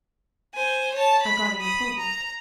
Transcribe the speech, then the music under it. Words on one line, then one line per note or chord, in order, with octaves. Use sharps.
I've got an appointment.'
C5 G#5
C#5 A5
B5 B6
B5 D#6
A#5